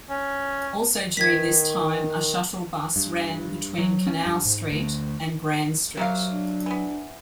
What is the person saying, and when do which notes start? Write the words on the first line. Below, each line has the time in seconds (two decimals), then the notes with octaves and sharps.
Also during this time, a shuttle bus ran between Canal Street and Grand Street.
0.10 C#4
1.17 D#3 G#6 B6
2.96 G2
3.78 F#3
4.07 C#4
4.26 G2
4.45 G#2
4.71 D2
5.97 C3 F#3 A#3 F5
6.32 D4
6.66 E3 B3